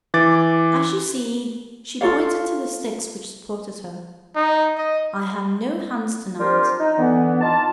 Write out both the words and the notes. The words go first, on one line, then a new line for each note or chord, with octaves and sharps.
As you see"--she pointed to the sticks which supported her--"I have no hands to-night.
E3 D6 A6
F4 A4 C#5 F5
D#4
D#5
C4 D4 F4 G4 A#4 C5
D#4
D3 E3 B3
D#4 F4 A5